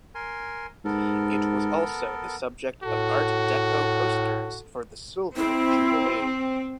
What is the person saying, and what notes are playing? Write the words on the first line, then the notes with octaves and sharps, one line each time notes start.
It was also the subject of art deco posters for the Silver Jubilee.
A#4 G#5 C6
G#2 B3 A4 A#4
A2 F#4 A4
C4 E4